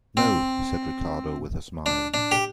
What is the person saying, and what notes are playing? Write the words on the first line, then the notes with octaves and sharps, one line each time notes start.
"No," said Ricardo, with a smile.
C4
D4
D4
G4